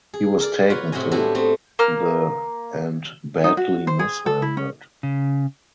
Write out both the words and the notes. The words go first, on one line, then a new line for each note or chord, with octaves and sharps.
He was taken to the and "badly mishandled".
G#4
A#4 D5
F4 F#4 B4 C#5 F#5
A2 C3 F#4 C5 D#5 G#5
B3 D4 E4 F#4 G4 A4
A3 C4 D#5
A#3 F6
D#4
F#4
C5
G#4
A4
E4
C#4
C#3